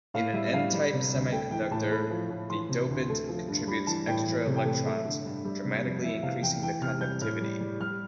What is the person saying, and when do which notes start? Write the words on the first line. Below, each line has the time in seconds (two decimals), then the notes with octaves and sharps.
In an n-type semiconductor, the dopant contributes extra electrons, dramatically increasing the conductivity.
0.14 A2 F5
0.33 G3 E5
0.53 G3 F5
0.73 G3
0.93 C3
1.13 D2
1.32 A3 G5
1.51 E3 G5
1.71 A2 A5
1.91 A3 B5
2.10 F3
2.30 A2
2.50 E3 C6
2.69 C3
2.89 D2
3.09 A3
3.28 F3
3.47 G2
3.67 G3 B5
3.87 E3 A5
4.07 A2 G5
4.26 E3
4.47 C3
4.56 G5
4.65 A3
4.86 A3 E5
5.05 D3
5.25 G2
5.45 G3
5.64 C3
5.84 F2
6.03 E3 E5
6.23 C3 F5
6.42 E2 G5
6.62 E3 G5
6.81 C3 F6
7.01 G3 G6
7.21 A2 F6
7.41 G3
7.60 G3
7.80 G3 F6